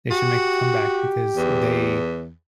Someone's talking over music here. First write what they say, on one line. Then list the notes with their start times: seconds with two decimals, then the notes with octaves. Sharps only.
they should make a comeback because they
0.11 F#4 G4
1.36 E2